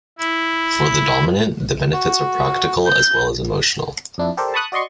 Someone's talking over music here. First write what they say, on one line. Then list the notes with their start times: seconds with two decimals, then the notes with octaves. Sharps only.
For the dominant, the benefits are practical as well as emotional.
0.18 E4
1.93 F#4
2.87 G6
4.18 F2 D4 E4
4.37 G4 A4 A#4 C5 D5
4.54 A5 B5 C#6 D#6 F#6
4.72 F#4 D5 D#5 C6 C#6